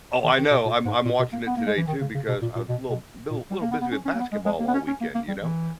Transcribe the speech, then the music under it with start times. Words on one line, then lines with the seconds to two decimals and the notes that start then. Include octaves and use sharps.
oh, I know, I'm I'm watching it today too because I was a little b bul little busy with basketball all weekend, you know,
0.24 D#3
0.38 D#3
0.51 B2
0.65 A#2
0.85 G#2
1.05 A#2
1.19 B2
1.33 A#3
1.47 B3
1.57 A#3
1.67 G#3
1.78 E3
1.88 D#3
2.01 C#3
2.15 C#3
2.28 B2
2.42 A#2
2.55 A#2
2.69 B2
2.90 B2
3.31 A#2
3.51 G3
3.61 A#3
3.71 B3
3.82 B3
3.92 C#4
4.05 C#4
4.14 A#3
4.19 B3
4.32 G#3
4.46 G#3
4.60 A#3
4.68 B3
4.74 C#4
4.87 C#4
5.01 A#3
5.15 A#3
5.28 G3
5.42 E3